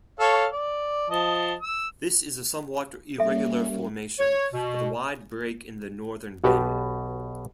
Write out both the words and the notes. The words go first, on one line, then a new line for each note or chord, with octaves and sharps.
This is a somewhat irregular formation with a wide break in the northern rim.
A4 C#5 F5
D5
F3 D#5 A5
E6
G3 A#3 C#4 A4 E5
C#5
B2
B1 B2 F#4 G4 B4